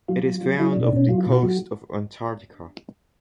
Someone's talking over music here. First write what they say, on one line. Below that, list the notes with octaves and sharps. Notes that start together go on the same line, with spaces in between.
It is found off the coast of Antarctica.
F#3 F4
F#3
F#3
F#3 E4
D4
B2
D4
B2 C#4
F#3 F4
B2 F4
F#4
F#3
F#4